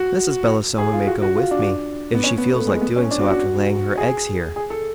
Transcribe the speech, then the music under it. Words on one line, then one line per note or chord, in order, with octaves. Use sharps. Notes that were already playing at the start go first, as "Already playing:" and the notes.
Mrs. Belostoma may go with me, if she feels like doing so after laying her eggs here.
Already playing: F#4
G#4
F4
F#4
F#4
F4
D4
B3
C#4
B3
A3
G#3
B3
C#4
D4
F#4
F#4
G#4
G#4
A4